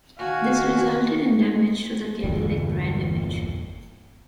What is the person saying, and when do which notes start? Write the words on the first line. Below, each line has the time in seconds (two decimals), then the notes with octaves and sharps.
This resulted in damage to the Cadillac brand image.
0.19 D#3 F#4 F5 G#5
2.24 G1 E2 A#2 D3